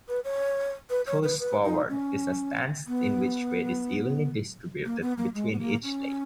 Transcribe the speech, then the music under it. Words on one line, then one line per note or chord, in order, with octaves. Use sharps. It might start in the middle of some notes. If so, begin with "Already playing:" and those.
Toes Forward is a stance in which weight is evenly distributed between each leg.
B4
C#5
B4
C#5
B4
B4
D#4
C#4
B3
A#3
B3
A#3
G#3
B3
A#3
C#4